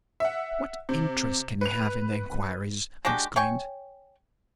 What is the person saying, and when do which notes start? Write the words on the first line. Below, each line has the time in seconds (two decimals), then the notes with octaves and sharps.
"What interest can you have in the inquiries?" I exclaimed.
0.20 E5 F#5
0.89 C3
1.61 B4 F7
3.05 G#3 D4 F#4 G4
3.36 C#5 G5 G#5 C#6